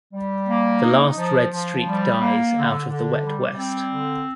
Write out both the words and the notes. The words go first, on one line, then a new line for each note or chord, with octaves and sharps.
The last red streak dies out of the wet west.
G3
A#3
D#4
F3
F3
G3
A#3
D3
D3
G3
C4
D3